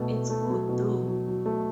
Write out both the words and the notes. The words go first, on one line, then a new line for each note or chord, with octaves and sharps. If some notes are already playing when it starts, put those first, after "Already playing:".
It's good though!
Already playing: B2 A3
A3
A3
F#3
B2
F#3
F#3
F#3
A3